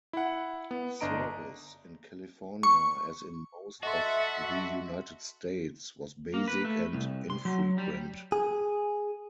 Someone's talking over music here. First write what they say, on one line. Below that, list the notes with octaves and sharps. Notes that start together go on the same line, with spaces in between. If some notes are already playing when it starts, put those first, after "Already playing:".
Service in California, as in most of the United States, was basic and infrequent.
E4 F#5
B3
G1 D4 D#5 A#5 D7
C#6
F#4 A4 D#5 E5 C6
A#3
B4
A3
C2
C6
F#3
G3
G#4